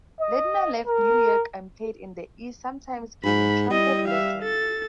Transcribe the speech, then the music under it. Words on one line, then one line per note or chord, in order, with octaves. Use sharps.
Ladnier left New York and played in the east, sometimes giving trumpet lessons.
D#5
A#4
G#2 B5
G3 E4 D#5
E5 F5
A4 A6